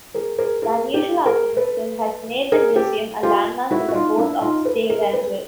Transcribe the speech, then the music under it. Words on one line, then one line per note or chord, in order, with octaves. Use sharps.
The unusual architecture has made the museum a landmark in the Port of Stavanger.
G#4 A#4
G#4 A#4
G#4 A#4
G4 A4
G#4 A#4
A4 B4
G#4 A#4
G4 A4
F4 G4
E4 F#4
F#4
D#4 F4
D4 E4
D#4 F4
A4 B4
G#4 A#4
A4 B4